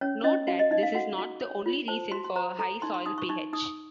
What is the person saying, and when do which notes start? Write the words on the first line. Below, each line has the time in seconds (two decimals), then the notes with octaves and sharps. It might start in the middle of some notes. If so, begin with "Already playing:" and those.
Note that this is not the only reason for a high soil pH.
0.01 C#4 C#5
0.24 C#4 D#5
0.48 F#4 F5
0.59 D#5
0.71 D#4 D#5
0.83 F5
0.94 F#4 F#5
1.18 F#4
1.41 C#5
1.66 F4
1.88 C5 A5
2.12 F#4 C6
2.24 C6
2.36 C5 A#5
2.59 A4 A#5
2.82 D#4 C6
2.94 C6
3.06 D#4 D#6
3.18 C#6
3.29 D#4 C#6
3.53 D#4 D#6